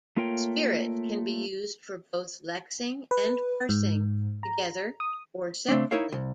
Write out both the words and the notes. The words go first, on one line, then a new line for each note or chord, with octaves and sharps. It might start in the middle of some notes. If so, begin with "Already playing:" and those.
Spirit can be used for both lexing and parsing, together or separately.
A3 A#3 F4 A#4 C#5 G5
B4
G#2
A#5
D#6
C#3 A3 C4 D4
D#4 E4 A#4 C#5 F5
C2